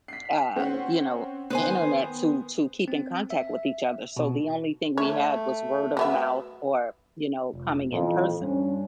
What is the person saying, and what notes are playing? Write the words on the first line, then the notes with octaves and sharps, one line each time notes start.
uh, you know, internet to to keep in contact with each other, so the only thing we had was word of mouth or, you know, coming in person.
B6 C7
C4 C#4 F#5
D#3 B3 B4 C5 G#5
C4
E5
B2
A3 C#5
F#3 B3 E5
F1
F2 A#2 E3
G2 C#4